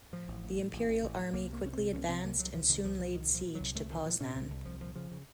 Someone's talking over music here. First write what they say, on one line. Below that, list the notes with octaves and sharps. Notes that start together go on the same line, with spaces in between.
The Imperial army quickly advanced and soon laid siege to Poznan.
A2 F3
A1
A1
A2
A1
A1
A1
A2
C2 A#3
C3 A#3
C2 C#4
C4
C3
C2 C#4
C3 C4
C2 A#3
C3 F#3
C2 F3
C2 D#3
C2 F3
A#2 F3
C2 D#3
A#2
F3
A#2
C2 F#3
C2 A3
A#2 D#3
A#2 F3
A#2 C#4
C2 C4
C2
C2 F3
A#2 F3
C#3 F3
C#3